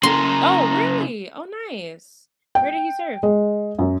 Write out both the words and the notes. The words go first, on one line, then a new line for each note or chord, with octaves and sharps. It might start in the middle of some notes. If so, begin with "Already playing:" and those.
Oh, really? Oh, nice. Where did he serve?
C#3 A#3 A#5 C6
G5
G#3
F#2